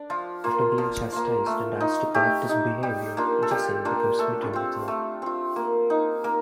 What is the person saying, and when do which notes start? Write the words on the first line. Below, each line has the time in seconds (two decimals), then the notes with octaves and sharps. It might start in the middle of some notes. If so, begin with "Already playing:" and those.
After being chastised and asked to correct his behavior, Jesse becomes smitten with her.
Already playing: D4 D5
0.10 F3 F4
0.44 A#3 F4
0.78 F3
1.12 A#3 F4
1.46 A3
1.80 D#4
2.14 A3 G4
2.49 D#4
2.83 G3 G4
3.17 A#3 D4 F4
3.42 A4
3.51 G3 G4
3.85 A#3 D4 F4
4.19 A3 A4
4.53 C4 F4
4.88 A3
5.22 C4 F4
5.56 A#3
5.90 D#4
6.24 A#3 A#4